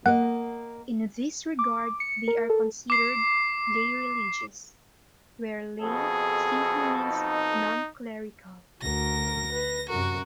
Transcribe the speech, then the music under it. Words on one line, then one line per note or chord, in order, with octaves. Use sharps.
In this regard they are considered "lay religious," where "lay" simply means "non-clerical".
A#3 D#5 F#5
D6
C#7
A#4
A4
D6 C7
F2 B2 G#4 A4
D#4
D2 F#4 A#4 A#6
B4
F#2 C3 F#4 A#4